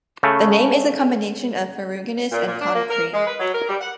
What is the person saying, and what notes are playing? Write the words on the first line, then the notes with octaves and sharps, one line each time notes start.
The name is a combination of "ferruginous" and "concrete".
C#3 A3
A#2
A#2
D4
A#3
A#4
G#3
B4
F#3
A#4
G3
F#5